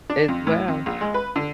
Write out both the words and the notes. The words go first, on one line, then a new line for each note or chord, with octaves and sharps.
as well.
D4
F2
A2
F2
A#1
G#3
B4
D3